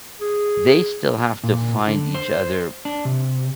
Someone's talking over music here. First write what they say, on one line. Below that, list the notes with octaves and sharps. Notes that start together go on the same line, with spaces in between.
they still have to find each other
G#4
A#2
D3
C5
D4
C3